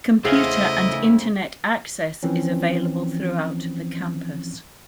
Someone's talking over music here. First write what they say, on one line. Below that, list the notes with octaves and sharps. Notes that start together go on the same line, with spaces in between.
Computer and internet access is available throughout the campus.
C#3 A3 E4 C5 D#5 F5
E3 F3 C4 C#4